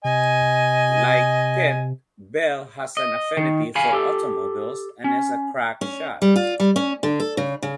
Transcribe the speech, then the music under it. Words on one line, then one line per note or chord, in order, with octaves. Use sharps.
Like Pitt, Bell has an affinity for automobiles and is a crack shot.
C3 D#5 G#5
D#5
D#3
F5 G#5 B5
G4 A4
C#4
C#4
G3
F4
G3
C#4
D3
A4
C#3
C#3